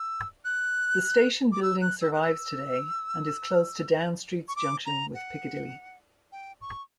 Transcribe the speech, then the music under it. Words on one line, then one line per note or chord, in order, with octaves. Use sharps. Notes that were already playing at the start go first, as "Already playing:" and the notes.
The station building survives today and is close to Down Street's junction with Piccadilly.
Already playing: E6
F#6
D6
E6
F#6
E6
F#6
E6
C#6
D6
A#5
F#5
G5
C#6